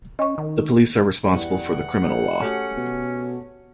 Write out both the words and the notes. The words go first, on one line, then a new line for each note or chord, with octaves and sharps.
The Police are responsible for the criminal law.
C#4 D#5 C#6
D#3
E2 G3 F#5
F2
A3 C#4 F#4 G4
B2